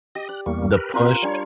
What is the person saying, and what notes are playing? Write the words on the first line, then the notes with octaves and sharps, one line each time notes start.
The push
G4 D#5
D5 F#6
E2 G3 A#3 C#6
A#4 B4
C4 F4 A#4 B4
G3 D4 C#5 G#5